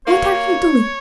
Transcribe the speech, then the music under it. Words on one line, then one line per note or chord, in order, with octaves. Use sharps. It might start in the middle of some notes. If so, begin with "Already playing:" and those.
"What are you doing?"
A#3 C#5